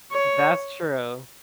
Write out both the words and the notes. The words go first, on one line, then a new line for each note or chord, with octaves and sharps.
That's true.
C#5